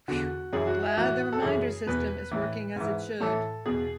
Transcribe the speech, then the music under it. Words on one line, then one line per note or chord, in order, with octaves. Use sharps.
Phew! Glad the reminder system is working as it should.
E2 D3 F#4
F#2 E3 G#4
F#4
E4
A2 E3 F#4
A4
F#2 C#3 E3 G#4
E2 B2 B4
A2 E3
G#2 E3
A2 E3 A4
E2 B2 G#4